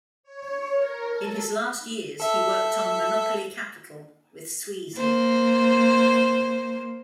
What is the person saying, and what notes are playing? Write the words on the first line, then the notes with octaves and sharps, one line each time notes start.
In his last years he worked on "Monopoly Capital" with Sweezy.
C#5
A#4
A4
A4 E5
A#3 C5